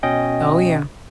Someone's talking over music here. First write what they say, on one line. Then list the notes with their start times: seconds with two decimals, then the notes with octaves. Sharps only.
Oh, yeah.
0.03 B2 C#4 D#5 G5